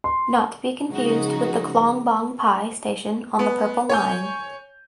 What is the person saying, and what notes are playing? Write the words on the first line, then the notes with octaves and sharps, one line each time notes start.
Not to be confused with the Khlong Bang Phai station on the Purple Line.
C6
C#3 F3 G#3 D#4 F#4
B3
C#5 G#5 G6